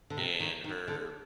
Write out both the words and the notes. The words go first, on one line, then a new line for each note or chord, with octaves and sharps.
and her
D3
C3
D#3
D#3
D3